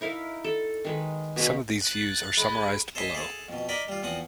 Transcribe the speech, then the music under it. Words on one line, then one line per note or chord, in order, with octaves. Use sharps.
Some of these views are summarized below.
D#4 E4 A#4 F5
A4
D#3 G#3 B4
B2 G#3 F#5
F#6 A6
G#3 B5
A4 C5 D#5 E5 G#5 A5
G#4 A4 A5
F2 B2
D#4 A#4 D5 D#5 B5
G3 F4
E2 F3 C4 F#5 D#6